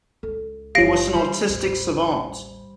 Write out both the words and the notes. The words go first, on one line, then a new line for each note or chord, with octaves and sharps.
He was an autistic savant.
C#2 A4
F#1 G3 G4 C#5 F5 A#6 D7
D#3 G3 C5
A1 D#2